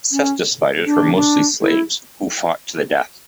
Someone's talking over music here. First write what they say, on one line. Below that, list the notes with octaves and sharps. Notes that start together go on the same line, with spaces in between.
Cestus-fighters were mostly slaves, who fought to the death.
C#4
D4
D4
E4